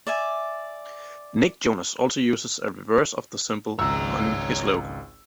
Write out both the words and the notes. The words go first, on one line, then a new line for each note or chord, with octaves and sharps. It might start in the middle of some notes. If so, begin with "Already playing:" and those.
Nick Jonas also uses a reverse of the symbol in his logo.
D5 E5 G#5
G#1 C#2 C#5 A#5 E6